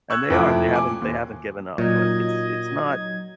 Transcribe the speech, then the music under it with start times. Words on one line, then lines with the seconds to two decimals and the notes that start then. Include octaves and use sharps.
And they are. They haven't they haven't given up, but it's it's not
0.10 C#6 E6 F#6 G#6
0.30 F2 C3 A3 C4 E4 D6
0.73 G#5 D6
1.02 D#2
1.78 A#2 F#3 D#4 D#5 G#6